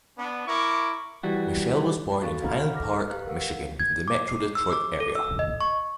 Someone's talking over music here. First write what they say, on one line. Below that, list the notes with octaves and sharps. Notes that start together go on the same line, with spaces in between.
Mitchell was born in Highland Park, Michigan, in the Metro Detroit area.
B3 D4
E4 A#4 C#6 D6
E3 G3 F#4
F#4 A4 F5 C#6 F#6 A6
D#5 F5 F#5 A#5 B5 F6
A4 D6 F6 A#6
G4 B4 F5 F#6
A#4 F5 F#5 E6
G#6
D6
C7
E6
D6
A4
E6
D#5
C#6